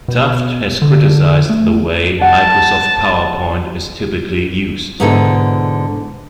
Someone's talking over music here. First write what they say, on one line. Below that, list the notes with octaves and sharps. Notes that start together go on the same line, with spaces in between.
Tufte has criticized the way Microsoft PowerPoint is typically used.
B2
D3
A3
F#5 A5
G#2 B2 D3 D#4 E4 A4